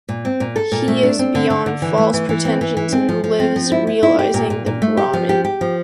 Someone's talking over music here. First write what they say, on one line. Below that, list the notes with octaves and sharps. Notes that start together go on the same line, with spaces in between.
He is beyond false pretensions and lives realizing the Brahman.
A#2
C4
A#2
A4
A#2
A3
D4
C4
D3
D3
D3
E3
A3
E3
E3
C4
E3
E3
C4
F3
F3
C4
F3
E4
E4
E4
G4
A#2
A#2
A#2
A3
G4
F3
G4
G4
F3